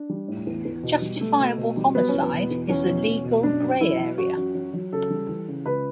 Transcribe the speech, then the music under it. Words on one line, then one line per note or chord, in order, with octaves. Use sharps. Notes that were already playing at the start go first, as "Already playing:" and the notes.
Justifiable homicide is a legal, gray area.
Already playing: D4
G3
A2
E2
E2
B2
G3
B2 A3
B2
B2
G3
F#3 B3
C#4
E2
B3
B2
E2
E2 C#4
B2
E2
B2
F#2 D4
F#2
F#3 E4
F#3
F#2 F#4
F#2
F#3
F#3
C#3 A4
G3
E3
C#3
C#2 B4